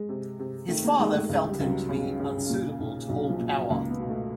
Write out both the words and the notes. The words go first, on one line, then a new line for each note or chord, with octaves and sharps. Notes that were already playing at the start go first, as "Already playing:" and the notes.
His father felt him to be unsuitable to hold power.
Already playing: G#3
C3
C3
D#3 A3
A#3
D#3 G#3
A3
C#2 G#3
G3
C#2 F#3
G3
C#3
C#3
A#2
B1
B1 F#3
F3
A#2
F#3
C#2 A#3
B3
B2
A3